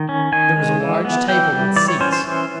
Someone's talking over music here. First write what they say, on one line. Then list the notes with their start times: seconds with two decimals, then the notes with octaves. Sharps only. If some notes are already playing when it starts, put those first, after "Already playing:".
There was a large table and seats.
Already playing: D#3
0.09 C#4
0.32 D#3 G#5
0.56 G#3
0.80 E3
1.05 B3
1.28 E3 G5
1.52 G3
1.76 E3 D5
1.88 C#5
2.01 C#4 C5
2.13 C5
2.24 E3